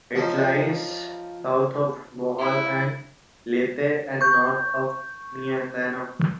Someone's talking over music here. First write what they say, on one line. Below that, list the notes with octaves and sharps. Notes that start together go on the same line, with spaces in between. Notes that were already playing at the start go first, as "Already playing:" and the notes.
It lies south of Bohol and Leyte and north of Mindanao.
F3 C#4 D#4 C5
E4
C#6 G6